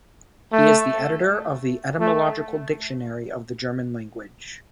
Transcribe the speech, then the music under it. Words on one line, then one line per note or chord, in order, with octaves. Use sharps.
He is the editor of the "Etymological Dictionary of the German Language".
A3
A3